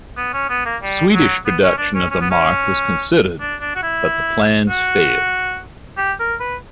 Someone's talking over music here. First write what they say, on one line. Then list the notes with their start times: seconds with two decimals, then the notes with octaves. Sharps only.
Swedish production of the marque was considered, but the plans failed.
0.17 B3
0.33 C#4
0.50 B3
0.66 A#3
0.82 G3
1.14 F#3
1.46 B3
1.63 C#4
1.78 D4
1.95 C#4
2.11 C#4
2.21 B3
2.31 C#4
3.40 D4
3.61 D4
3.76 F#4
3.83 E4
4.69 F#4
5.97 G4
6.20 A#4
6.40 B4